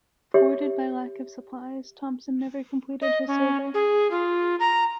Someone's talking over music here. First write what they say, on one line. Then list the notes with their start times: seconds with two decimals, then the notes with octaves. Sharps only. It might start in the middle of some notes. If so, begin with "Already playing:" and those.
Thwarted by lack of supplies, Thompson never completed his survey.
0.34 G4 C#5 E5
3.02 D#5
3.27 C#4
3.74 G#4
4.11 F4
4.60 A#5